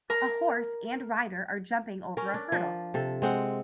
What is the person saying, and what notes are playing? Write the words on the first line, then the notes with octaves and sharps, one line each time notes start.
A horse and rider are jumping over a hurdle.
A#4 A#5
C#4 A#4
D4
F3
C3 A4
G#3 C4 F#5